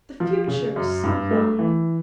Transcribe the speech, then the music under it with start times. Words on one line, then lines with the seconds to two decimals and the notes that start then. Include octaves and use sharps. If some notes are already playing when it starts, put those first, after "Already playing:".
The future is so long.
0.20 F3
0.47 C#3
0.76 F#2
1.04 G2
1.31 A3
1.59 E3